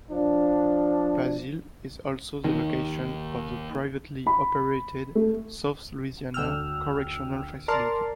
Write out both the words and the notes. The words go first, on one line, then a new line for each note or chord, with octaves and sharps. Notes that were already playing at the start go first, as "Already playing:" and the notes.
Basile is also the location of the privately operated South Louisiana Correctional Facility.
F3 D4
D#2 D#3
B5
A3
D2 G5 E6 F6
A#4 D5 A5 C6 F6